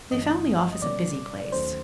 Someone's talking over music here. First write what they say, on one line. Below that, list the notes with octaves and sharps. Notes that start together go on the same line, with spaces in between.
They found the office a busy place.
G1 G2 E3 A3 C#4 D#5
D#5
B2 G3 A#3 C#4 D5
D#2 D#3 F#3 A3 C#4 C5